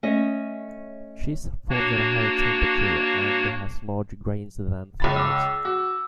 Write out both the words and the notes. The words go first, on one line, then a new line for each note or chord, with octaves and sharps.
Schist forms at a higher temperature and has larger grains than phyllite.
A3 C#4 C#5 D#5 E5
A#3 D4 F#4 C#5
C#2 B5 A6
D6 E6
F#4 D6 E6